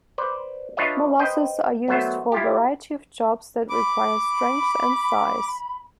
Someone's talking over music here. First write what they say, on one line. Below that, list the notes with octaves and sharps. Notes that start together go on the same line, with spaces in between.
Molossers are used for a variety jobs that require strength and size.
B4 C5 D5
D4 F4 B4 C#5 D#5 E5
B4 C5 D#5 G5
F#3 A3 B3 C5 E5
E4 F4 G4
B5 D6